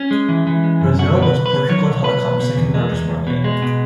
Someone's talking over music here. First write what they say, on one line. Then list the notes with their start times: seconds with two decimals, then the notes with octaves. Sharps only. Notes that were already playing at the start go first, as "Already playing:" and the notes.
Brazil was Portugal Telecom's second-largest market.
Already playing: C#4
0.11 G#3
0.29 E3
0.47 E3
0.64 G#3
0.81 F#2
0.98 B2 F#4
1.16 B2
1.22 B4
1.34 B1
1.46 B4
1.51 B2
1.69 F#3 C#5
1.87 B1
2.04 B1 B4
2.22 B1
2.39 B2
2.57 E2
2.74 G#3
2.92 E2
3.10 E2
3.27 B2
3.44 G#3
3.62 B2